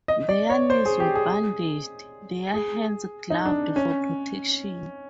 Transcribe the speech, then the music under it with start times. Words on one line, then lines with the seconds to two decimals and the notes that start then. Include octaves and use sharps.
Their knees were bandaged, their hands gloved, for protection.
0.08 D#5
0.29 D5
0.50 C#5
0.70 C5
0.85 G#4
1.00 G4
1.15 G#4
2.54 G#4
3.30 D#4
3.46 D4
3.76 C#4